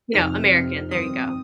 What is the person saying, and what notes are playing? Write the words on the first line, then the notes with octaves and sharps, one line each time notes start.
you know, American. There you go.
F2 C3 F3 C4 D#4 F6
F2 C3 F3 C4 D#4
G2 D#3 C4 D#6